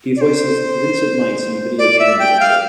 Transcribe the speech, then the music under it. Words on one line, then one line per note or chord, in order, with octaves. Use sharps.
He voices Vincent Meis in the video game "The Witcher".
D5
C5
D5
E5
G5
F5